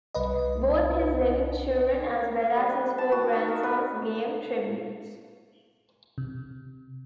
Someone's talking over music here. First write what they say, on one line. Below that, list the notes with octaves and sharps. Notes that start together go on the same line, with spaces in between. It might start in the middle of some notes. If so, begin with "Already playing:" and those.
Both his living children as well as his four grandsons gave tributes.
C2 B4 D#5
G3
B4
A5
F#4
D#4
A#4
B4
C3